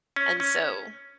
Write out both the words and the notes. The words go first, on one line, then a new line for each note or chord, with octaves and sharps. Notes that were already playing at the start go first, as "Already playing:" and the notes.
and so,
C#4
C#4